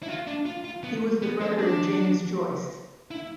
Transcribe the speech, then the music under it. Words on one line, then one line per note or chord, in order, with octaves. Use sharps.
He was the brother of James Joyce.
E4
F4
D4
F4
F4
B3
B3
C4
D4
E4